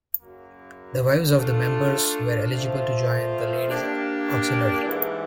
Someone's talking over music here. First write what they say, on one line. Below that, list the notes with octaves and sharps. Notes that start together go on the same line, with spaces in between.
The wives of the members were eligible to join the Ladies Auxiliary.
F#2 C#3 F#3 A#3
A3 D4 F4
F3 A3 C4 F4
A#3 D4 G4
G#2 E3 G3